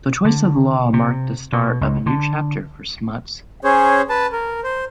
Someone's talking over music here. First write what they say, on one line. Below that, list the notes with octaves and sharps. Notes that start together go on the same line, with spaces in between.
The choice of Law marked the start of a new chapter for Smuts.
D3
C3
B2
C#2
D3
C#4 G#4 C5 C#5
B4 A5
A#4
C5